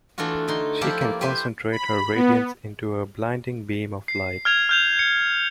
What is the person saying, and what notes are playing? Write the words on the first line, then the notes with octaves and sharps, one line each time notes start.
She can concentrate her radiance into a blinding beam of light.
E3 A3 D4 F4 F#4
D3 D#4 C6
F3 E4 F4 G4 A4 D5
A#3
G4 B4 C5 G#5
B5
B3
C7
F6 G#6 F7
F6 G6 F7
C#7